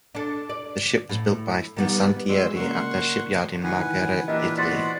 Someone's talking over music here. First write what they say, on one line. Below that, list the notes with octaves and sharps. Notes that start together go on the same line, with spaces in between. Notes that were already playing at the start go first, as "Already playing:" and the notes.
The ship was built by Fincantieri at their shipyard in Marghera, Italy.
D4 A4
D5
A2
D#3 G3 B3
F#3 G#3 D5 C6 E6
C#3 A#3 F#5 C6 C#6
D#3 E3 B4 F#5 G#5
A#2 E3 D4 G4 A#4 B4 D#5 E5
B3 F#4 C5 D5 F#5 C6 A6 B6